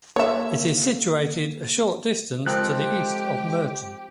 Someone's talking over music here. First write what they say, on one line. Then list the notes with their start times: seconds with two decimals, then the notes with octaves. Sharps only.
It is situated a short distance to the east of Murton.
0.16 A#3 G4 A4 C#5 E5
2.46 F3 G#3 C4 G4 A4 A#4 F#6